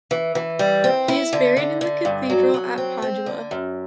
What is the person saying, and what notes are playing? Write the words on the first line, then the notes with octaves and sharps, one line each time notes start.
He is buried in the cathedral at Padua.
E3
E3
G3
C4
E4
D3
D3
D3
G2
F#3
F#3
C4
C4
D3
F#2